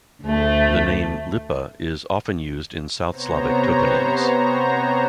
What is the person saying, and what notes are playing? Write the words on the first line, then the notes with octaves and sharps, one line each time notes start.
The name "lipa" is often used in South Slavic toponyms.
D2 A3
C3 B3 C5 C#5 A#5